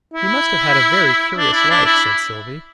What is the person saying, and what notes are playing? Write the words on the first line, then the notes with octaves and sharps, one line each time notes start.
"He must have had a very curious life," said Sylvie.
E4
D4
E4
D4
E4